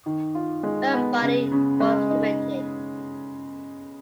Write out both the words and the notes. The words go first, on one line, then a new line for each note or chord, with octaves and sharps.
Her body was cremated.
D#3
F4
G#3
B3
C#3
C#3
G#3
D#4